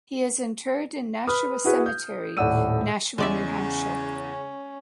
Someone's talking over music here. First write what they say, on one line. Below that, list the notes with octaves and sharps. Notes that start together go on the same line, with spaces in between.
He is interred in Nashua Cemetery, Nashua, New Hampshire.
B4 B5 D#6 F6
E4 F#4 G#4 B4
G6
D#1 A2 D5 F#5 E6 D#7
E2 C#3 G#3 C#4 D5 E5